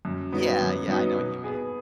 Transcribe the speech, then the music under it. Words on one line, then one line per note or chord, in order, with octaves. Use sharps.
Yeah, yeah, I know what you mean.
F#2
F#3 B3 D#4
F#2
F#3 B3 D#4
B2
B3 G#4